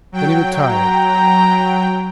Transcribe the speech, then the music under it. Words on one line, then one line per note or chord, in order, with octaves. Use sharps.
Then he retired.
F#3 G5
A#5